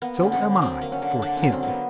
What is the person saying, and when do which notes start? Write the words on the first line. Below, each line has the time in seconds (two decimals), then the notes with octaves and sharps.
So am I--for him.
0.02 A#3 B3
0.22 D3 C#4
0.32 C4
0.42 D3
0.62 F#3 C4
0.82 A#3
0.92 C#4
1.02 D3
1.22 D3 D4
1.37 F#3 C#4
1.52 C4
1.63 A#3
1.68 B3